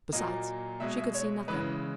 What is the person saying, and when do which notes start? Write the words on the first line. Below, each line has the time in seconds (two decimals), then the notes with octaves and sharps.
Besides, she could see nothing.
0.12 A#2 F#3 A#3 D#5
0.80 B2 G#3 E5
0.97 E5
1.14 C#5
1.48 C#3 E3 G#3 B4